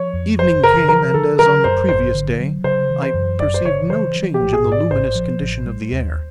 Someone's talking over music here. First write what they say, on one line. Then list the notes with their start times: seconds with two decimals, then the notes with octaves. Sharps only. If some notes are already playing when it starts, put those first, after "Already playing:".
Evening came, and, as on the previous day, I perceived no change in the luminous condition of the air.
Already playing: F3 C#5
0.13 F2
0.39 F#1 C5
0.64 C#3 A#4
0.88 F3 A#4
1.14 D3 A4
1.39 F#3 A#4
1.64 F#2 C5
1.89 G#1 C5
2.14 D3
2.39 F#3
2.64 C#3 C5
2.90 E3
3.03 C5
3.14 F#2
3.40 G1 D5
3.54 C5
3.65 C#3 C#5
3.90 E3 C5
4.16 F3
4.34 G4
4.40 A1
4.53 G#4
4.65 G#2
4.72 D5
4.90 A1 C5
5.15 F3
5.41 A1
5.66 G3
5.92 D#2